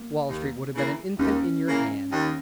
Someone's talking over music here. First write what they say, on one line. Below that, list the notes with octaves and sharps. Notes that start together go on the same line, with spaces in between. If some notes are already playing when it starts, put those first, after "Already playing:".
"Wall Street would have been an infant in your hands."
Already playing: A#3
D#2
C#3 E3 A#3
D#2 C#4
C#3 E3 A#3
D#2